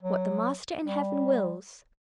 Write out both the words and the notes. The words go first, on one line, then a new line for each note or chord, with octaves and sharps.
"What the Master in heaven wills!"
F#3
G3